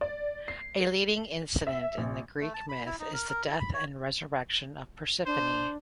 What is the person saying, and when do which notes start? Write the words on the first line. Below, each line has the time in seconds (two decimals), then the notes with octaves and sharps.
A leading incident in the Greek myth is the death and resurrection of Persephone.
0.01 D5
0.48 C7
1.67 E5
1.98 A#1
2.41 A3
2.54 A5
2.69 B5
2.86 E4
3.00 D#4
3.14 A#4
3.29 A#4
3.47 E4
3.60 B5
3.74 C#5
5.26 D4 C5